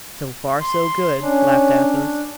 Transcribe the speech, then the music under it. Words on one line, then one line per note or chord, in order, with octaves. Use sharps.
"So far, so good," laughed Athos.
C6
C#4 D4